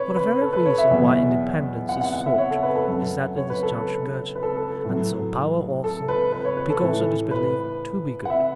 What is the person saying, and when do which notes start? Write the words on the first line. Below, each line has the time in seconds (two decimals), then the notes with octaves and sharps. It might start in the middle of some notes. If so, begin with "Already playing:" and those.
For the very reason why independence is sought is that it is judged good, and so power also, because it is believed to be good.
Already playing: B4 C#5
0.16 B4
0.41 A4
0.53 B4
0.66 C#5
0.78 E5
0.91 E2 B2 F#3
1.89 F#5
2.01 F#5
2.13 F#5
2.26 E5
2.38 C#5
2.50 A4
2.63 B4
2.75 A4
2.88 F#2 F#3
3.37 C#5
3.50 B4
3.63 A4
3.75 B4
4.35 B4
4.43 A4
4.57 A4
4.85 A2 F#3
5.84 A4
6.08 B4
6.32 B4
6.45 C#5
6.57 B4
6.70 A4
6.82 A2 E3
7.31 B4
8.25 F#5
8.30 E5